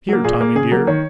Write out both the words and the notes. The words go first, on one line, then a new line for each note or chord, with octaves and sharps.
Here, Tommy, dear.'
F#3 A#3
A#2 G#4
A#3
C#3 G#4
F#3 A#3 A#4
D#3 C#5